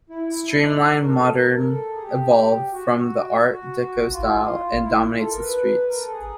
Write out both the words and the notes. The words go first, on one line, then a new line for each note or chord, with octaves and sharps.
Streamline Moderne evolved from the Art Deco style, and dominates the street.
E4
D4
D#4
D4
A#4
A4
A4
A#4
A#4
A4
G#4
G4
F#4
F#4
F4
E4
F4
E4
F4
A4
A#4
B4
A#4
A4
G#4